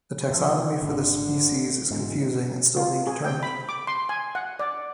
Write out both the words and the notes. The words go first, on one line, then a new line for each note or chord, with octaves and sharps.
The taxonomy for this species is confusing and still being determined.
C3 F3
G#1 D3
E1 G#2
F4
G#4
G5
B5
D6
C6
G#5
F#5
D5